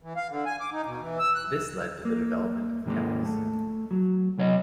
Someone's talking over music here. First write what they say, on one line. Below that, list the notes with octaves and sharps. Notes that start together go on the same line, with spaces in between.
This led to the development of temples.
E3
F5
D3
G#5
D6
D#4
B2
E3
E6
F#6
A#3
G#2 D#3 G#3 A#3
A3
F#3
C2 F#3 C#5 D#5